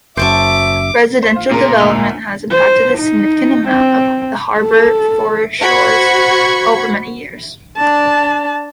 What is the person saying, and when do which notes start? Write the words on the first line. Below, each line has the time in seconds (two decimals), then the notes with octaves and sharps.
Residential development has impacted a significant amount of the harbour foreshores over many years.
0.17 F#1 F#2 C5 E5 A5 C#6 D6
1.23 C5
1.36 F4
1.51 A#2 C#3 A#4
1.80 D2 E5 F7
2.51 C5
2.99 D#4
3.68 C4
4.60 A4
5.60 F#4 C5 B5 C#6 G#6
7.77 D4 A5